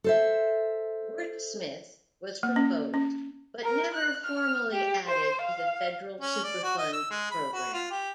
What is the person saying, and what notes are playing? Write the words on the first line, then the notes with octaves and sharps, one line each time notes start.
Wurtsmith was proposed but never formally added to the federal Superfund program.
A4 C5 E5
A#3
C#4
C#4
A#4
F#6
F6
G4
C5
F5
C#4
D5
F#4
D#5
E6
G#3
B5
F#4
F4
G4